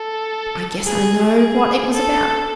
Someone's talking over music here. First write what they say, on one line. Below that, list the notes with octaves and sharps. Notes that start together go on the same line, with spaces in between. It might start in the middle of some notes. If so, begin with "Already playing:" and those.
'I guess I know what it was about.'
Already playing: A4
G#4
G#4
A4